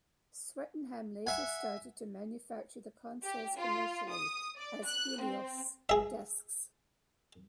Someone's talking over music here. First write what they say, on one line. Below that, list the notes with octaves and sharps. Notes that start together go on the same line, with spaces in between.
Swettenham later started to manufacture the consoles commercially as Helios desks.
E5 F#5 G#5
G4
F4
D#6
D5
F#6
C4
G#4 E5